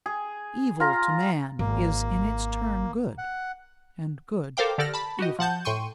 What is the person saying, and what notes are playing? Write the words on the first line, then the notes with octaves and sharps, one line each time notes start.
Evil to man is in its turn good, and good evil.
G#4
F4 A#5
G#1 A#3
F#5
A4 A#4 C5 F5 G5 D6
D3 G4 A4 D5 F6 A#6
A5 B5
F#4 G4 D#5
F3 F#5 A5 G6
A2 G5 C6 C#6 D#7